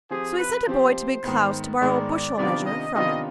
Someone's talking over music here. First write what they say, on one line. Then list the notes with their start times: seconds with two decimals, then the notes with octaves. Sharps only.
So he sent a boy to Big Klaus to borrow a bushel measure from him.
0.10 F3 C4 G4 G#4
0.38 B4
0.67 F3 C4 G4 C5
1.24 G#2 D#3 G#3 B3
1.81 G#2 D#3 G#3 B3 D5
2.37 C3 D#3 B3 D4 F4 D5
2.66 D#5
2.94 C3 D#3 B3 D4 F4 D#5